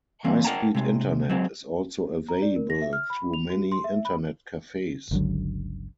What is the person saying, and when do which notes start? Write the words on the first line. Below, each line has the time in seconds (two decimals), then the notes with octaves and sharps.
High-speed Internet is also available through many Internet cafes.
0.24 E3 A#3 C4
0.44 A#4 F#5 G5 A5 A#5
0.74 C3 G#3
1.29 F#3 G#3 C4
2.29 A#5
2.42 D5
2.56 A#4
2.70 A#6
2.81 E5
2.93 F6
3.10 B5
3.34 F7
3.50 F#4
3.72 C6
3.84 E5
4.05 B5
5.11 G1 C#2 D3 F#3